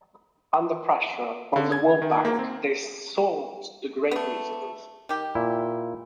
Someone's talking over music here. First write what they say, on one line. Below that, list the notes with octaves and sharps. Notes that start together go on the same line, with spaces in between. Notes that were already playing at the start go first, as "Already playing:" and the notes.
Under pressure from the world bank, they sold the grain reserve.
D3
G#6
D#3
A#3
C4
A3 B3
D#3 G4
A#2 E4